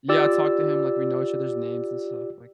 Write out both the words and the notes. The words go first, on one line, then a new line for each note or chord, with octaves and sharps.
Yeah, I talked to him like we know each other's names and stuff like
F4 G4 D5 E6